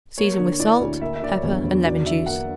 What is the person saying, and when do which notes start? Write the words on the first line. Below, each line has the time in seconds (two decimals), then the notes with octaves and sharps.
Season with salt, pepper and lemon-juice.
0.18 A#3 C#5
0.39 D3
0.59 E4 D5
0.81 D2
1.01 A#3 E5
1.16 E5
1.22 D3 D5
1.29 C#5
1.43 E2
1.64 E2
1.85 F#3 D5
2.06 D3 E5
2.26 A#3 F#5